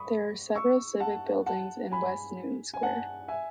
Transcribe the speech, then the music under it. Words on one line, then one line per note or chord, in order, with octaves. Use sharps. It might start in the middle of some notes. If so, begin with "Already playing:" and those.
There are several civic buildings in West Newton Square.
Already playing: B5 C#6 D#6
C#6 E6
F#5 A5
F#5 A5
G#5 B5
G#5
F#5 A5
E5 G#5